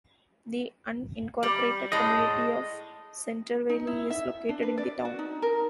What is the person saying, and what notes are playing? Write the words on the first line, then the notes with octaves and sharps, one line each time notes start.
The unincorporated community of Centerville is located in the town.
G3
A2 G#3 D#5
D#4
E4
E5
D4
B4
D5
F#4
D#4
A#4